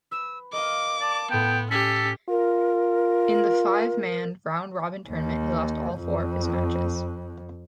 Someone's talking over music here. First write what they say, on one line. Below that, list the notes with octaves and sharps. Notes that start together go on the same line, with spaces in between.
In the five-man, round-robin tournament, he lost all four of his matches.
B4 E6
A#4 D#5 F5 D6
D5 A5
A2 B3 G5 C6 D7
C#4 G4 A4 B6
F4 A#4
D#2
F2